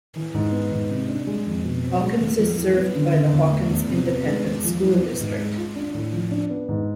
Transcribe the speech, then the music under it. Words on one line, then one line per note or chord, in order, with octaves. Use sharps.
Hawkins is served by the Hawkins Independent School District.
E3
G#2
B3
G#2
C3
D4
G#3
F2
B2
C4
G#3
E2
F3
E4
B3
D3
D3
E2
A3
E2
C3
B3
G#3
E2
F3
E4
B3
G#2
G#3
F4
D4
A2
F3
D4
B3
G#2